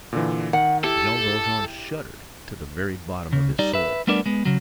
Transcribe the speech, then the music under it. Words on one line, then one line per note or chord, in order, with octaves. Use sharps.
Jean Valjean shuddered to the very bottom of his soul.
A#2 D3 E3
D#3 F#5
E4 G4 A4
C#3
G3 D#4 D5
B4 E5
G3 A3 B3 D4 A#4 D5
G#3 B3
C#3 F#3